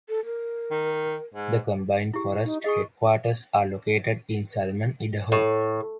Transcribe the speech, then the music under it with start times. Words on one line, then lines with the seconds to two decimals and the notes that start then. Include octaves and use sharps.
The combined forest headquarters are located in Salmon, Idaho.
0.09 A4
0.25 A#4
0.71 D#3
1.35 G#2
2.14 E4 G4
2.44 D#4
2.64 G#4 D#5 C#6
5.32 A2